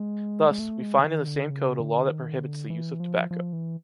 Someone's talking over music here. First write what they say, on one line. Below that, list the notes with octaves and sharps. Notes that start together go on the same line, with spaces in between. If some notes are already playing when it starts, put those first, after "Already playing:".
Thus, we find in the same code a law that prohibits the use of tobacco.
Already playing: G#3
G#3
A3
G#3
D3
D#3
D3
C#3
D3
D#3
D3
E3
F3
F3
E3